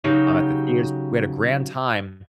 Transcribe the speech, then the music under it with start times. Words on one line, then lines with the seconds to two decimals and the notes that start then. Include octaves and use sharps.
I'm at the theaters, we had a grand time.
0.04 C#3 F#3 D#4 F#4 G4